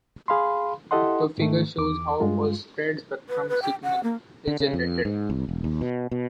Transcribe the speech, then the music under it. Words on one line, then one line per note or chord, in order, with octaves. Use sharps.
The figure shows how a spread-spectrum signal is generated.
G#4 F5 B5 C6
E4 G4 A4 D#5 F#5 C6
G#2 D#3 A3
E2 D6
G2 G#3 F4
B4
B4
G5
F#5
A#3
D3
C#3
F2
G#2
C2
E1
D#2
B2
B2